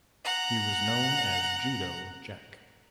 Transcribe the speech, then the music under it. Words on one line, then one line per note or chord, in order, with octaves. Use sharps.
He was known as "Judo Jack".
F#5 A#5